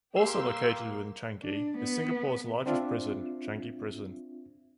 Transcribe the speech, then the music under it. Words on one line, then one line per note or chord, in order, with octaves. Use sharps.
Also located within Changi is Singapore's largest prison, Changi Prison.
A#3 G4 C6 E6
D4
B3
C4 D4 F4 E5